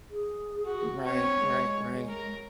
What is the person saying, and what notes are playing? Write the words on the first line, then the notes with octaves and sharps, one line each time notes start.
Right, right, right.
G#4
F#4
C4 C#5
G#3
A#4